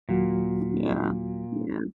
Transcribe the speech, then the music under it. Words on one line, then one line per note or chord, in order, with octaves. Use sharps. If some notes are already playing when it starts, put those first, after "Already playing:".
Yeah. Yeah.
D#2 A#2 F#3 F#4